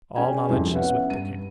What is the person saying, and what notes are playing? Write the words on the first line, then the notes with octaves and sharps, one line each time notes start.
"All knowledge is with the King."
C#4 G#4 D5 G5 G#5
C2 F2 E4 G4
B3 C#4 G4 E5 F#5
G2 D#7